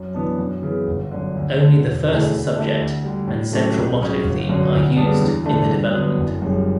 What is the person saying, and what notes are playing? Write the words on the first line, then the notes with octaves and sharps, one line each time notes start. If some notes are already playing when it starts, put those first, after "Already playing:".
Only the first subject and central motto theme are used in the development.
Already playing: F#2
E3 B3 D4
F#2
C#3 E3 B3
G1
F#2 D3
D2
D3 A3
E1
D2 C#3 E3 A3
D2
D3 A3 E4 G4
D2
D3 G3
A2
F#3 A3 C#4 G4
C#2
C#3 F#3 C#4
G1
F#2 D3 F#3
D2
C#3 G3 B3 D4
E2
D3 A3 D4
G2
D3 F#3 B3
F#1
F#2 C#3 G3